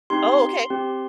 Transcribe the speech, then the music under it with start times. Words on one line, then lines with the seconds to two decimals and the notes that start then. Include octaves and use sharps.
Oh, okay.
0.10 C4 D#4 G4 C6
0.70 C4 G4